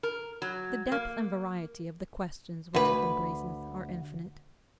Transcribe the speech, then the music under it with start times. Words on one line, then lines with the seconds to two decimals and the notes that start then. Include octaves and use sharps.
The depth and variety of the questions which it embraces are infinite.
0.03 A#4
0.42 F#3
0.92 A#3
2.75 D2 B4